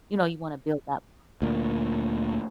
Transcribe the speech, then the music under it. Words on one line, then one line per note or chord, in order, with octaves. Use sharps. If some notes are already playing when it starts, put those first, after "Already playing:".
you know, you wanna build that bond.
D2 A#2